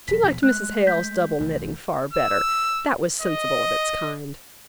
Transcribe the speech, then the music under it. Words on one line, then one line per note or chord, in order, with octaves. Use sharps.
She liked Mrs. Hale's double knitting far better; that was sensible of its kind.
E1 F#3 B6
D#1 B2 F3
G#3 A3 F#6
G6 B6
C2 E3 A3
E6
D#5